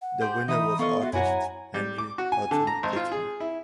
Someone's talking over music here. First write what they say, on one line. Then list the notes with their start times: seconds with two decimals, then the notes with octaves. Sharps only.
The winner was artist Henry Hudson Kitson.
0.02 F#5
0.21 G4 G#4 C5 G6
0.48 E3 D#4 E5 B5 D#6
0.79 B3 F4 A4 D#5 F5 C#6
1.01 F4 F#4 E5
1.13 F#2 E4 F#4 C#5 G#5 A#5
1.74 G3
1.98 D6
2.18 F#4
2.32 G#5
2.51 D3
2.67 A#5
2.83 G#1
2.96 F4
3.12 G#4
3.40 E4